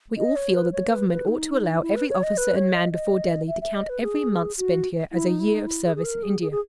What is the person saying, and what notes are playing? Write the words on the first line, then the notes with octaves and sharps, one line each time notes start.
We all feel that the Government ought to allow every officer and man before Delhi to count every month spent here as a year of service in India.
D#5
C#5
B4
C#5
B4
B4
D#4
E4
B4
C#5
D#5
B4
C#5
D#5
D#5
E5
E5
D#5
B4
G#4
F#4
E4
D#4
E4
D#4
E4
G#4
G#4
A#4
G#4
G#4
G#4